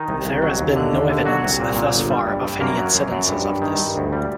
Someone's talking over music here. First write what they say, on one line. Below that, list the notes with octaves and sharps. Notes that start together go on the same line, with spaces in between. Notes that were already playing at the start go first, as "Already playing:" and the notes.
There has been no evidence thus far of any incidences of this.
Already playing: D#3 D#4
C2
C2
F#3
D#2
D3
D#2
D3
F#3 F#4
C2
A#2
A#2
G1
G3
G2
G2
F#2 A#3 A#4
F#3
F#2
F#2
G2
G2
D#3
G2
D2
G3